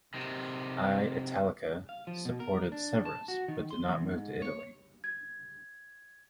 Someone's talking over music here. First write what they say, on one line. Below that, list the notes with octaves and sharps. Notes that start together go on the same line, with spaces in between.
I "Italica" supported Severus, but did not move to Italy.
C3 D#3
F5
F3
B2
A#4
D4
A5
F#4
D#3
C6
E2
G#2
C#5
G#6